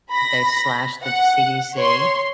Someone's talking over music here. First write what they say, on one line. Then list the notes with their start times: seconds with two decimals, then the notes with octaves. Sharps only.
they slashed the CDC,
0.11 B5 A#6
1.04 F#5
1.78 C#5 C6